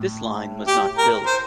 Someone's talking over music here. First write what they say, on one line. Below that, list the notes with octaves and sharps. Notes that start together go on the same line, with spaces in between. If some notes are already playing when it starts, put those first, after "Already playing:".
This line was not built.
Already playing: A2
G4
A#4
C5